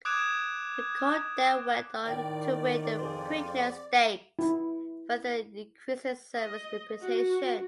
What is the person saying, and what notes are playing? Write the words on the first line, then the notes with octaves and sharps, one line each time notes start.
The colt then went on to win the Preakness Stakes further increasing Servis' reputation.
D6 D#6 F#6 G#6 D7 E7
A2 D#3 D5 G5
F2 G#4 C5
E4
D#5
F#4